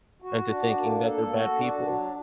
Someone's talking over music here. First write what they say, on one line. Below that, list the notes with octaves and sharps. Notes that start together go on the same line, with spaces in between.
into thinking that they're bad people.
F#4
D4
A#3
A4
F#4
D4
F#3